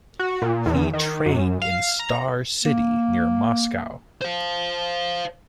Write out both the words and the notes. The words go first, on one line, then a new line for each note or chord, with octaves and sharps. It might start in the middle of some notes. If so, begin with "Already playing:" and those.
He trained in Star City near Moscow.
F#4
A#2
E2
D#3
F#2
F5
A#5
A#3
C5 F5